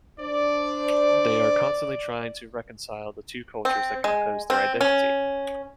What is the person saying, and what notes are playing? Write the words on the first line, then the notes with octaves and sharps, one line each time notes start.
They are constantly trying to reconcile the two cultures that compose their identity.
D4 C5 D5
C4
G#3
C4
C#4